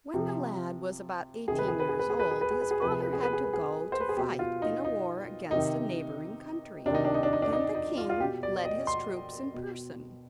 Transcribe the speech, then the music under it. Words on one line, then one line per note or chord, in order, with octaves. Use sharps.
When the lad was about eighteen years old his father had to go to fight in a war against a neighbouring country, and the king led his troops in person.
C3 F3
C3 D#3 G#4
B4
G#4
B4
G#4
B4
G#4
B4
G#4
B4
G#4
B4
G#4
C3 F3 B4
G#4
B4
G#4
B4
G#4
B4
G#4
C5
B4
G#4
B2 G4
F4
D#4
D#4
C3 D#3 D#4
C3 D4
D#3 D#4
D4
D#4
D4
D#4
D4
D#4
D#4
F4
F4
B2 G4
D5
D#5
C6
B2